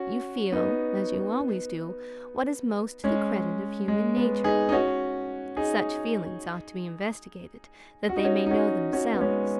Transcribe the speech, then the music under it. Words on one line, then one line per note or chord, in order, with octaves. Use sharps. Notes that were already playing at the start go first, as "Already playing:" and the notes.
"You feel, as you always do, what is most to the credit of human nature. Such feelings ought to be investigated, that they may know themselves."
Already playing: C#4 F#4
B3 D#4
G#3 C#4
G#3
B3
D#4 G#4
D#4
C#4 F#4
D#4 G#4
F#4
D#4
C#4 F#4
D#4
C#4 F#4
C#4 F#4
B3
G#3 C#4